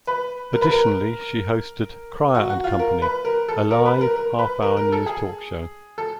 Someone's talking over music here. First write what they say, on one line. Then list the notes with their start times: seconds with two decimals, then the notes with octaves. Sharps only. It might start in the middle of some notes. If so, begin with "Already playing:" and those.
Additionally, she hosted "Crier and Company", a live, half-hour news talk show.
0.07 B4
0.53 A#4
0.61 B4
0.71 A#4
2.35 F#4
2.50 F#4
2.64 F4
2.79 A#4
3.02 B4
3.25 A#4
3.49 A4
3.71 A#4
3.86 B4
4.01 A#4
4.16 A#4
4.39 B4
4.62 A#4
4.77 A#4
4.92 A4
5.06 G#4
5.98 A4